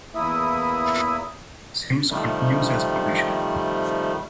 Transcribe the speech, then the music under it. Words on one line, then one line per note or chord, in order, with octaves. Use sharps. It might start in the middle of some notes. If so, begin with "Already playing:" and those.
Sims continues as publisher.
E2 A#3 E4 E5 D#6
C3 D#3 F3 G3 A3